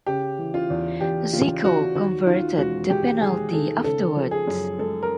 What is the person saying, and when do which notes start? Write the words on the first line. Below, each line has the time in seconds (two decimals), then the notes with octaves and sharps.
Zico converted the penalty afterwards.
0.06 C#3 G4
0.39 E3
0.54 F4
0.70 E2
1.01 E2 G4
1.32 C#3 F4
1.64 E3 F#4
1.95 D#2 F#4
2.26 D#3 F4
2.58 E1 F#4
2.90 G#3 G4
3.21 D#2 G#4
3.53 D#3 A4
3.84 C#3 A4
4.16 F3
4.31 G#4
4.47 F#2
4.78 G#3 A4
5.03 A#4